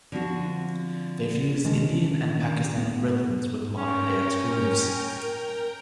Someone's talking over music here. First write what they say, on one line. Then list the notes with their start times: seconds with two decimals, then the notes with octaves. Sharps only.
They fused Indian and Pakistani rhythms with modern dance grooves.
0.12 D3 F3 C4 F#4
1.65 D#3 G#3 C#4 D4
2.78 B3
3.77 C#4 A#4 G5 A#5